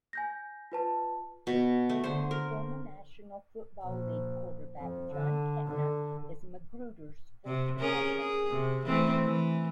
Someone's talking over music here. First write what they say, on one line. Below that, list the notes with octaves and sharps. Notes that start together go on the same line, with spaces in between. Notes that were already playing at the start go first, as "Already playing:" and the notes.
Former National Football League quarterback Jon Kitna is Magruder's first cousin.
G#5 G6 A#6
F4 B4 A5
B2
A3
D3 C5
A#4
A#1
F2
D3
D3
C3
C#4 G#4 A#4
G#4
C3
E3 A3 C4
E3